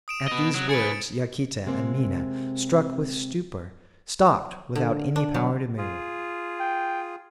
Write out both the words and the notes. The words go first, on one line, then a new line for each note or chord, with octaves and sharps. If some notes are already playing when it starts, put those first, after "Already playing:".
At these words Yaquita and Minha, struck with stupor, stopped without any power to move.
D#6 D7 E7
B3 D#5
F#3
G#4 B4 A6 C#7 D7
C3 G#3 A#3 C4
D3
D4
F#3
F4 G#4
G5